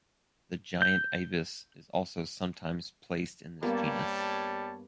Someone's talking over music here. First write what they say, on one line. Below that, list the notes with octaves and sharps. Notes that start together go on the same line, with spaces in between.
The giant ibis is also sometimes placed in this genus.
G6
G2 G3 A#3 B3 C#5 A5